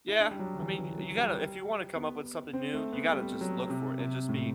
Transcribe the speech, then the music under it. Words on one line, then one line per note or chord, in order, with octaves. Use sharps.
Yeah, I mean, y you gotta if you wanna come up with something new, you gotta just look for it and just be
E4
D4
G3
F#3
D3
E3
E3
F#3
G3
B3
C4
A3
B3
G3
F#3
C3
C3
A2